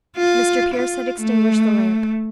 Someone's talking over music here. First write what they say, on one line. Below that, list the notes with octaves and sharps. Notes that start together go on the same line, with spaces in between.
Mr. Pearce had extinguished the lamp.
F4
F4
A3